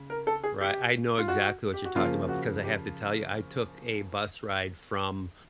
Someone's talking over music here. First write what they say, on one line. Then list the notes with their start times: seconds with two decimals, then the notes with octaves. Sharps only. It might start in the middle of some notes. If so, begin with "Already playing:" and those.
Right, I know exactly what you're talking about, because I have to tell ya, I took a bus ride from
Already playing: C#3
0.10 A#4
0.27 A4
0.44 G#4
0.61 G4
1.18 F4
1.28 F#4
1.73 G4
1.85 F#4
1.96 C#3 F3 A#3 F4
2.29 F#4
2.64 G4